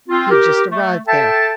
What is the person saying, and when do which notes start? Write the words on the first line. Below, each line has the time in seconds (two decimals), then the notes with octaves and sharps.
He had just arrived there.
0.09 C4 F4
0.30 G4 A#4
0.71 A3
1.07 A4 E5 G5 A5